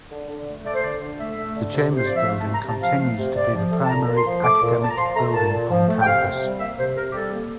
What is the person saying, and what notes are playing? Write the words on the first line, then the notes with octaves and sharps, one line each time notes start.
The Chambers Building continues to be the primary academic building on campus.
D3
D3
A3
A3 D5
C5
D3 D5
D3
A3 E5
A3
D3
C3
C3 C5
F3 D5
E5
A3 F5
A5
C3
A#5
C3 A5
F3 F5
A3
C3
C3 D5
F3
A3
A5
A#2 A#5
A#2
C6
F3
A3 D6
A#2
A#2 A5
A#5
F3 C6
A3 A#5
A#2 A5
A#2
F3
A3
G5
C3 F5
C3
G3
A#3 E5
C3 C5
C3 A#4
G4
G3 A4
A#3